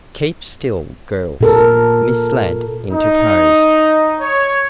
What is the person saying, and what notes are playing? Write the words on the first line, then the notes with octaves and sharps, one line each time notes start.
"Keep still, girls," Miss Ladd interposed.
A#2 A4 A#4
D#4
C#5